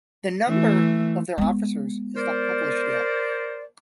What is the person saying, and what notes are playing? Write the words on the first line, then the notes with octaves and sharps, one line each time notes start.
The number of their officers is not published yet.
E3 A3
G#3 B3
A#4 C5 D5